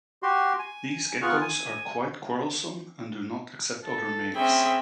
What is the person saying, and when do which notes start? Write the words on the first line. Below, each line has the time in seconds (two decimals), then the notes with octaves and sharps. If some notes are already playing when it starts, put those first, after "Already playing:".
These geckos are quite quarrelsome and do not accept other males.
0.23 F#4 G4 C6
0.59 G#5
1.22 B3 F4 G#4 F#5 C#6 F6
1.41 G#5
3.83 A4
4.35 C4 C#4 G#4 E5 G5 B5